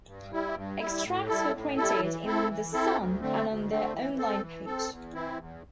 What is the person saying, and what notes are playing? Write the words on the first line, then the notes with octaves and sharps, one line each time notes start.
Extracts were printed in "The Sun" and on their on-line page.
G2
G3 E4
G2
G3 E4
A2
G3 E4 A4
A2
G3 E4 A4
E3
C4 E4 A4
E3
C4 E4 A4
D2
D3 A3 C4
D2
D3 A3 C4
E3
C4 A4
E3
C4 A4
E2
E3 C4 E4
E2